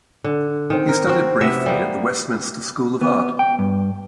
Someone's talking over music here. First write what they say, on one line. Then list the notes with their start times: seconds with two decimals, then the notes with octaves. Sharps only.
He studied briefly at the Westminster School of Art.
0.24 D3
0.70 D#3 C4
0.89 A#4
1.07 C4 F#4
1.41 C3 B3 E5
1.66 G3 A#3 B3
3.01 B3
3.39 G5
3.59 G2